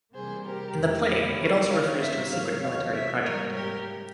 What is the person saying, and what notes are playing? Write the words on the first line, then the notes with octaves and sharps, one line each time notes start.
In the play, it also refers to a secret military project.
C3 E3 G3 A#3 G#4 C5
G4 A#4
F2 E3 G#3
E4 G4
E2 C#3 F3 A#3 A#4 C#5
C#5 F5
G#2 G3 A#3 C5 E5
C#5 F5
E2 C3 E3 C#5 F5
C5 E5
G#2 G3 A#3 A#4 C#5
G4 A#4